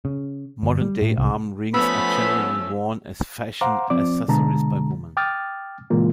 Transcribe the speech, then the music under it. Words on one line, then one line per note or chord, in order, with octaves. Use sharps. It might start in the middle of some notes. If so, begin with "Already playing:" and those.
Modern day arm rings are generally worn as fashion accessories by women.
C#3
G1
G3
A2
C2
F3 A3 B3 C#4 B5 E6
C5 F5 F#5 A#5 C6 D6
F3 C4 D5 D6
B2 D3 G#3 A5 A#5
G5 D6 D#6 F6 A6
A#2 C#3 E3 G#3 A#3 F4